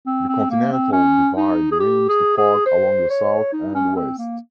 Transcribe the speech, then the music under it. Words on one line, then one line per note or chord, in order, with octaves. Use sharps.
The continental divide rims the Park along the south and west.
C4
C4
A#3
C4
C#4
D#4
G#4
G4
G#4
G#4
C5
C#5
D#4
C#4
C4
A#3